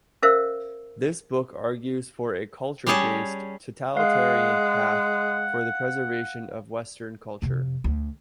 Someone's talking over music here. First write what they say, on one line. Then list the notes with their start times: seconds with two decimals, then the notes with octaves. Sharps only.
This book argues for a culture-based, totalitarian path for the preservation of Western culture.
0.22 C#4 A#4 C5 E5 F5 E6
2.87 G3 C#4 G4 G#4 C#5 A5
3.97 G#3 F5 F#5
7.42 F2 C3
7.84 D2